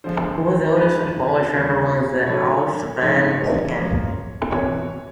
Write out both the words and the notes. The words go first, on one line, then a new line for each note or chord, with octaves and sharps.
He was the oldest footballer to ever win the Allsvenskan.
D3 F3 G#3 C5
G2 D#3 G#3 B4
D#2 D3 G3
A2 F#3 A3 D4 C#5
G#2 F3 A3 C4 D#4 C#5
C#3 F3 A#3
C2 C3 E3 C#5